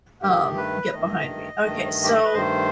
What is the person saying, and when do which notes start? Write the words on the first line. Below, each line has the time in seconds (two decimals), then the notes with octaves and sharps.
um get behind me. Okay. So
0.22 G2 D#3 A3 G4
0.57 B4
0.93 G2 D#3 A3 D#5
1.64 G2 D#3 A3
2.04 G4
2.15 A4
2.24 B4
2.34 G2 D#3 A3 C5